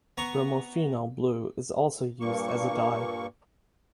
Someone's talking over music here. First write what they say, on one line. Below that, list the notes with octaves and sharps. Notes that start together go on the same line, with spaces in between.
Bromophenol blue is also used as a dye.
B3 A#5 C#6
G2 A#2 A#3 C#6